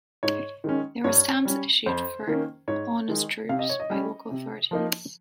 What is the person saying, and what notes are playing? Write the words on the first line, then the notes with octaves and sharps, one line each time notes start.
There were stamps issued for Aunus troops by local authorities.
G#2 C#5
D#3 G#3 C#4
G2 C#5
G3 C#4
F2 C5
D#3 A#3 C#4
G#2 C#5
D#3 G#3 D#4
C3 F5
D#5
C#5
D#5
G3 C#4
C3
F3 A#3 D#4